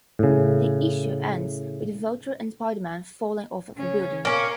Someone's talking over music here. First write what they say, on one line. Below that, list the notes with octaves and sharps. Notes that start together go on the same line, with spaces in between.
The issue ends with the Vulture and Spider-Man falling off of a building.
A2 C#3
C#3 C#4
A#3 C#4 A#4